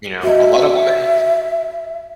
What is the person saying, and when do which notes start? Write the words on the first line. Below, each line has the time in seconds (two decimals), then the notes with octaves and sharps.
you know, a lot of women
0.23 F#4 D#5 E5